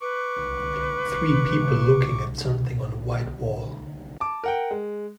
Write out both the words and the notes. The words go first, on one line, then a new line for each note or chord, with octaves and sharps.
Three people looking at something on a white wall.
B4 C#6 D6
A5 D6
A#4 F#5 G5
G#3